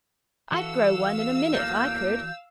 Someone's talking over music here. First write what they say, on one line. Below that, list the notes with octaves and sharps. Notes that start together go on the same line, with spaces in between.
"I'd grow one in a minute if I could."
E3 F#4 A4 F5 E6
E2 A#3 G6